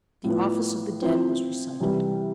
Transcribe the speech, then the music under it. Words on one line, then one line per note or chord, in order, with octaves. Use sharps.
The Office of the Dead was recited.
A2 F3 B3
F3 C4 E4
C3 E3 G3